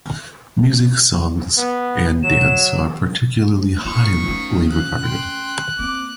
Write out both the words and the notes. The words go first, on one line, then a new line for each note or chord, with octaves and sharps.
Music, songs and dance are particularly highly regarded.
B3
F#3 E7
D#3 F3 A#3 F4 C#6
A3 C#4
F#6
G5 C6
A#3 C4 D6